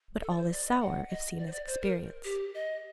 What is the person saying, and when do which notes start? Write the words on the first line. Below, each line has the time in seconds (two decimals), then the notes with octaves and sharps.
But all is sour, if seen as experience.
0.22 A4
0.30 D5
0.37 C5
0.51 D5
0.66 D#5
0.80 F#5
1.09 D#5
1.38 D5
1.47 C5
1.52 D5
1.67 C5
1.82 A#4
2.25 G4
2.54 D#5